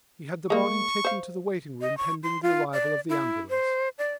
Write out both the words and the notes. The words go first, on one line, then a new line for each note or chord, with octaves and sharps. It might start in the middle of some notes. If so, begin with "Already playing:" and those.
He had the body taken to the waiting-room pending the arrival of the ambulance.
G#3 A#3 C#6
C5 F5
D#5
C#6
C6
F4
D5
E4
C5
D5